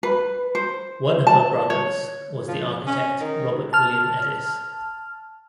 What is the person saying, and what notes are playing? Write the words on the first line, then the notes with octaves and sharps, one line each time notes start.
One of her brothers was the architect Robert William Edis.
B4
C5
A5
C#5
F3
C#4
D#3
A5 F6